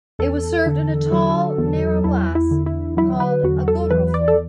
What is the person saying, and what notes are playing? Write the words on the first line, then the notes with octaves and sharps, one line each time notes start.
It was served in a tall, narrow glass called a "Goderulffe".
E2 A4
D3
F#3
E2
E2 E4
E4
D3
E4
F#3 E4
B4
E2 F#4
A4
E3 B4
D5
A4